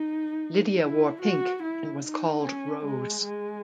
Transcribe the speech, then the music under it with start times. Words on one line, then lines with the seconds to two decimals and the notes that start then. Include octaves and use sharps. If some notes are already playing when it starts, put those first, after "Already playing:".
Lydia wore pink and was called Rose.
Already playing: D#4
0.82 E4
1.21 F#4
1.63 E4
2.03 D#4
2.44 C#4
2.85 G#3
3.25 G#3